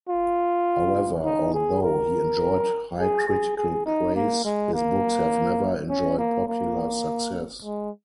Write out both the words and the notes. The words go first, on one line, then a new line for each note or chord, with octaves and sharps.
However, although he enjoyed high critical praise, his books have never enjoyed popular success.
F4
D#4
G#4
A#4
G#4
G#4
G#4
D#4
A#3
G#3
A#3
C#4
A#3
A#3
G#3